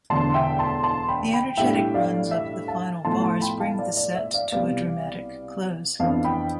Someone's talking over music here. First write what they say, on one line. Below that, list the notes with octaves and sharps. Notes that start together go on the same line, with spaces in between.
The energetic runs of the final bars bring the set to a dramatic close.
E1 E2 D3 A5 C6
E5 G5
A5 C6
A5 C6
G5 B5
G5 B5
B1 A2 G3 D4 E5 G5
D5 F5
E5
F5 A5
B1 A2 F3 A3 A5 C6
A5 C6
G5 B5
F5 A5
D5 F5
D5
E5
D5 F5
C2 B2 G3 B3 D5 F5
F2 E3 B3 D4 F5 A5
G5 B5